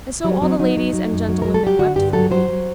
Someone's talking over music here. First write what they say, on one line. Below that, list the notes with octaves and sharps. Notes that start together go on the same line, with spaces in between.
And so all the ladies and gentlewomen wept for pity.
F#3 G3
F#3 C4
F#3 D#4
F#3
F#3
F#2
F#3
F#3 A#4
A4
F#3 G4
D3 F#4
G2 G4
F#3 A4
F#3 C5
F#3